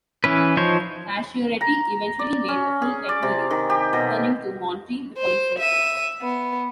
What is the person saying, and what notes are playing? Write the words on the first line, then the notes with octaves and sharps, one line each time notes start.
Pacioretty eventually made a full recovery, returning to Montreal the following season.
E3 C#4 B4
F3 D#4 C5 C#5
A#5
D5
C#4
G#4
D5
C3
D#3
G4
B2
C5
E5 D#7
B3